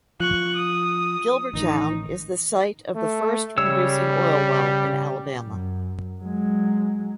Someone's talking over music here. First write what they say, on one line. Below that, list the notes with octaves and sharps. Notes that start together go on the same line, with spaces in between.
Gilbertown is the site of the first producing oil well in Alabama.
F3 C#6 F#6
D#6
A1 D#3 D#4
A3
C#3 G3 C#5 E6
F#2
F#3 G#3